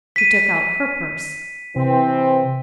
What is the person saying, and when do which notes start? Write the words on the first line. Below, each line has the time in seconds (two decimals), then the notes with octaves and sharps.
She took out her purse.
0.16 B6 D#7
1.76 C3 E3 C4